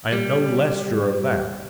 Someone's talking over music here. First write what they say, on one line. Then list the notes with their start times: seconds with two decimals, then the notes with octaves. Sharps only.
I am no less sure of that.
0.12 G3 G4